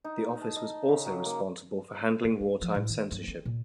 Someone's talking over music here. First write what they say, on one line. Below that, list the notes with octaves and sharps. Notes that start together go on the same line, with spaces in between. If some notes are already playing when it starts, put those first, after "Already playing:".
The office was also responsible for handling wartime censorship.
D#4
A5
D#5
C#3
F#3
A#3
G#2
G#3
F3
A2
D#3
G2
C4
A#2